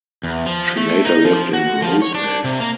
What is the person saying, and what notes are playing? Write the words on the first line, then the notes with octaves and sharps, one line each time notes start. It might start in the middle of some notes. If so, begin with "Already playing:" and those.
She later lived in Rosebank.
E2
F3
A3
D#4
F3
F#4
F3
C#5
D4
C3
A#3